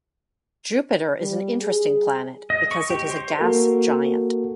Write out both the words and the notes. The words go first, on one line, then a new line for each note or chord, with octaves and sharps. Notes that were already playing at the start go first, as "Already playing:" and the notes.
Jupiter is an interesting planet because it is a gas giant.
G3
G#4
D#5
C#6
G4
C5
A#3 F#4 A4 A#4